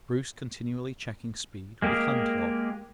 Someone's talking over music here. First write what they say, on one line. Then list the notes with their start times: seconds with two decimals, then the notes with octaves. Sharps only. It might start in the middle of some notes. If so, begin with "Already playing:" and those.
Bruce continually checking speed with hand log.
1.82 G#3 A#3 G4 G#4 A#4